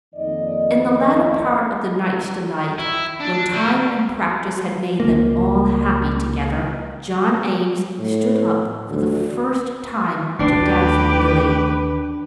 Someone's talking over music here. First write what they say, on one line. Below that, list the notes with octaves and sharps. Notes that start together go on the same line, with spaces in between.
In the latter part of the night's delight, when time and practice had made them all happy together, John Eames stood up for the first time to dance with Lily.
F2 D#3 A#3 D5 D#5
E4
D4
G3 E4
C#2 A#3
A2
D2
A1 D#2 D4 G4 B4 C7